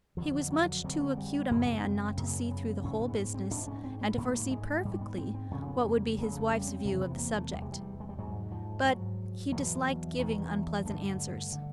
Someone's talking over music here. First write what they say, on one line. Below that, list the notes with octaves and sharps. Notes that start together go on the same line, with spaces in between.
He was much too acute a man not to see through the whole business, and to foresee perfectly what would be his wife's view of the subject; but he disliked giving unpleasant answers.
F2 D3 F3
F#3
F2 D3 F#3
G#3
G3
G3
F#2 C#3 B3
C4
F#2 C#3 A#3
B3
G#2 C#4
B3
C4
G#2 D4
C#4
C4
B3
G#2 A#3
G#3
G#2 G3
B3
C4
C4
F2 C#3 C#4
B3
A#3
F2 C#3 A#3
A3
G3
C4
E2 C3
B3
A#3
A3
E2 C3 G3
G#3
G3
G#3
G3
G#2 F#3
F3
G#2 F#3
E2 B2 F#3
E2 B2 D#3
G2 D3 A3
D3